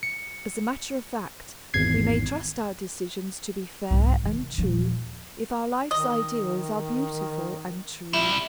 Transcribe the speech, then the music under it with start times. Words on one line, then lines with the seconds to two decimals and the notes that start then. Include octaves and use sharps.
As a matter of fact, we may trust our decisions to be fair and true if our life's ideals are beautiful and true.
0.03 C#7
1.74 G#1 E2 G#6 C7
3.91 C2 G#2
4.23 C3 D#3
4.58 D#1 F3
5.91 D#3 D#5
8.13 G3 E4 E5